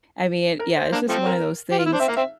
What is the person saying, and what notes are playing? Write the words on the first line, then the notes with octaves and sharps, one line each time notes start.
I mean, yeah, it's just one of those things,
A#4
C5
A#3 D4
F3 A3 C4
A#4
G4
F4
E4
D4 C5
C4 E5
A#3 F5
C4 E5